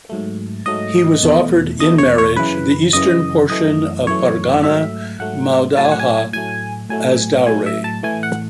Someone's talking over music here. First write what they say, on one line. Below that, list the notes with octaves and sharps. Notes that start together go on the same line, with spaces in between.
He was offered, in marriage, the eastern portion of pargana Maudaha as dowry.
G#2 F#3 A3
G#2 F#3 A3 D#5
E2 B2 A3
E2 B2 A3 D#5
C#5
C#5
F#2 C#3 E3 B4
F#2 C#3 E3 D#5
F#2 E3 A3 D#5
F#2 E3 A3 C#5
G#2 F#3 A3 E5
G#2 F#3 A3 F#5
A2 F#3 A3 A5
G#5
F#5
G#5
A2 F#3 A3 G#5
A2 F#3 A3 G#5
A2 F#3 A3 G#5
E5
A5
A2 E3 A3 G#5
F#5